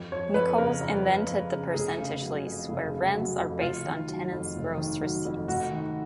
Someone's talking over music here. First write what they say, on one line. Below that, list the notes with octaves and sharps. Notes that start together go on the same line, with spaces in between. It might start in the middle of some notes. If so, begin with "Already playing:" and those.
Nichols invented the percentage lease, where rents are based on tenants' gross receipts.
Already playing: F2
F3 C#5
F2 B4
C#3 A#4
F2
F3
F2
C#3
F1 G#4
C#3
F#3
F2
F1
C#3
F#3
F2
F1 F4
D#3
F#3
F2
F1
D#3
F#3
F2
F1 F#4
D#3